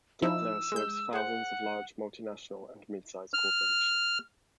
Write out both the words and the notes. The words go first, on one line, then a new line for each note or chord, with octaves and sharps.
GetThere serves thousands of large multinational and mid-size corporations.
F3 D#4 E4 E6
G#3 G6
G#4 C5 F#5
F6